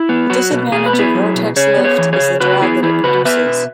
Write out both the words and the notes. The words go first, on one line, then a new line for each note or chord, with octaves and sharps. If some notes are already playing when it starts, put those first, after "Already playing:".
The disadvantage of vortex lift is the drag that it produces.
Already playing: E4
B3
F#3 F#4
B2
B2 G#4
B4
B3
E4 G#4
F#3
B2
C#3 G#4 C#5
B3
G#4 C#5
E3
G#4 C#5
C#3
C#3 F#4 B4
B3 E4 G#4
E3 E4 G#4
C#3 F#4 B4
B3 B4 E5
B2